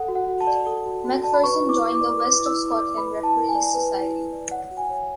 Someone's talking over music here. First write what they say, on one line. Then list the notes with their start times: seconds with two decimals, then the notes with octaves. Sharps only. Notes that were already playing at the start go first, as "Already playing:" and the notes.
Macpherson joined the West of Scotland Referees Society.
Already playing: A4 F#5
0.08 F#4
0.15 F#5
0.28 F#4
0.41 A5
0.47 D5
0.66 A4
0.86 F#4
1.05 F#4
1.23 D5 A5
1.34 B5
1.44 B4 C#6
1.63 E4
1.69 D6
1.81 E4
1.95 D6
2.01 D5
2.20 B4 D6
2.40 E4
2.46 E6
2.59 E4
2.72 D6
2.78 D5
2.98 B4 B5
3.16 E4
3.23 A5
3.36 E4
3.49 G#5
3.55 D5
3.75 B4
3.94 E4
4.13 E4
4.32 D5
4.51 C#5 F#5
4.71 F#4
4.77 G#5
4.90 C#5